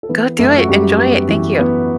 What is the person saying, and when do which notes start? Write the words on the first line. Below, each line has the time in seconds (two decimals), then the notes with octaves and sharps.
Go do it, enjoy it, thank you.
0.03 A4
0.09 E3 B3 B4
0.39 F#2 A3 A4
0.58 F#4
0.69 F#2 G3 G4
0.98 B3
1.29 E3
1.59 B3